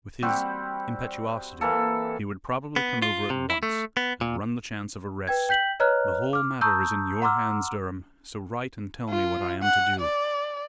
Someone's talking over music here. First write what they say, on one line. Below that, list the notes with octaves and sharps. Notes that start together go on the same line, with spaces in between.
With his impetuosity, he would probably come over at once, and run the chance of arrest. The whole matter is in your hands, Durham, so write and tell me what I am to do.
G3 C4 F#4 G4
E3 A#3 A4
B3
F4
C3
E4
A3
B3
A#2
B4 G5 G#6
G5 G6 B6 F#7
B4 C#5 D#5 A#5 F6 F#6
D6 F6
A5 A#5 C#6 D#6 E6 G6
F#5 A#5 C6 D6 E6 F6
F4
F#5
D5